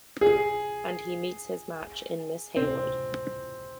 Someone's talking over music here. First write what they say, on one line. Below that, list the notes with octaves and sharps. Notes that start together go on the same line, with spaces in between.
And he meets his match in Miss Heywood.
G#4
C4